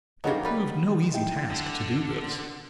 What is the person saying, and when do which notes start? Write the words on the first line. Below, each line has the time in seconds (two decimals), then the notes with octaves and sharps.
It proved no easy task to do this.
0.24 F#3 G3 A#3 D#4 A4 B4
0.45 G3 A#4 B4
1.13 D#4 E4 G5
1.50 D3